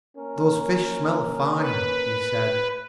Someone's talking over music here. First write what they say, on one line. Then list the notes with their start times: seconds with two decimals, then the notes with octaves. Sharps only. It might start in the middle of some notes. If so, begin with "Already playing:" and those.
"Those fish smell fine," he said.
0.17 A#3 C#4 A#4
1.56 B4